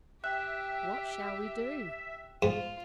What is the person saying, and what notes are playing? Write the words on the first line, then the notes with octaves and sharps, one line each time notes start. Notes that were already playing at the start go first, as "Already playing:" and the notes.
What shall we do?
G4 E5 G5 F#6
G#2 F4